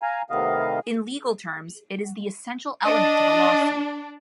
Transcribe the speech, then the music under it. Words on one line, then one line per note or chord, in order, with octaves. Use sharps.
In legal terms, it is the essential element of a lawsuit.
F5 G#5 A#5
A2 C3 D#3 B3 D#5 F5
D4 D#5